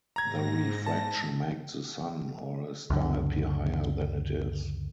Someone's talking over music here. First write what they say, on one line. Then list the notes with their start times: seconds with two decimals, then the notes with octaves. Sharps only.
The refraction makes the sun or a star appear higher than it is.
0.16 G#2 A#5 G#6 A#6
0.86 A5
2.90 C#2 F#2 D3